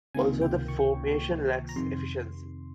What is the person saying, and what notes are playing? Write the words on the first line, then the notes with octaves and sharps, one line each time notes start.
Also the formation lacks efficiency.
C#2 C3 D#3 A#3 F4 G#5
G5
C#6
A#5
F2 C3 D#3 C6